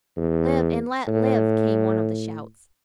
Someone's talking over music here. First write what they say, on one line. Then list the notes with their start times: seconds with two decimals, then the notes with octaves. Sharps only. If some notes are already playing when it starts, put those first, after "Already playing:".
"Live and let live!" came one of the shouts.
0.17 E2
1.07 A2